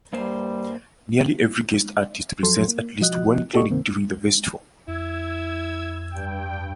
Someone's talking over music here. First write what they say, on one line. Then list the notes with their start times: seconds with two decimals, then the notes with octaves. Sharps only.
Nearly every guest artist presents at least one clinic during the festival.
0.13 G2 G3 A#3 C5
2.43 F2 F3 F#3 A4 C6
2.68 A#3
3.00 B2 F3 F#4 D#5 F#6
3.53 F#4 G4 A4 D5 D#5 C#6
3.68 C#2 G2 C3 D#3 A#3 C4
4.88 F2 E4 E6 G#6
6.10 G2 G5